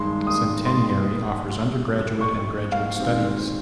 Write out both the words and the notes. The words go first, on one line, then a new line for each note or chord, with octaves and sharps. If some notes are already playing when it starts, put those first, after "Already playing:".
Centenary offers undergraduate and graduate studies.
Already playing: G2 D#3 G#3 C6
D#6
C6
C#6
F5
D#3 G#3 C4 G4